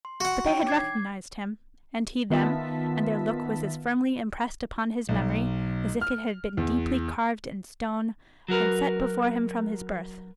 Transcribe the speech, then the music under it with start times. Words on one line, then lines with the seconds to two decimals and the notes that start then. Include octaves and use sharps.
But they had recognised him, and he them; and their look was as firmly impressed upon his memory, as if it had been deeply carved in stone, and set before him from his birth.
0.05 C6
0.21 F#4 F#5 C#6
0.46 D4 D#4 C#5 G5
0.67 D6 G#6 C7
2.30 D#3 B3 F4 E5 A5 B6
5.09 B1
6.01 F6
6.57 E2
8.48 F#3 F#4 A#4 B4